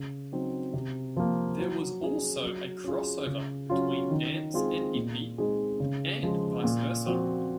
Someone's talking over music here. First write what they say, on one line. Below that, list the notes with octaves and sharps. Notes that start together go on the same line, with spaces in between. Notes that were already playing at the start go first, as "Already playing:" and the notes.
There was also a crossover between dance and indie, and vice versa.
Already playing: C#3
F#3 C4 D#4
C3
F3 A#3
F#3
C#4 G#4
F#3
C#4 F4 G#4
C#3
F#3 C#4 F4
D#3
G#3 C4 F4 G#4
A#2
G#3 C4 D#4 G#4
C#3
F3 G#3
A#2
F3 C4 F#4